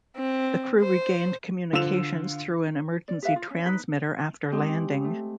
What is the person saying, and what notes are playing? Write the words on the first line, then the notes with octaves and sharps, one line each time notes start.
The crew regained communications through an emergency transmitter after landing.
C4
C5
D3 F4 C5 E6 E7 F7
D5
G4 B4 E5 F5
F4
C#4
D#4 B4
G#3 C4 G4
A3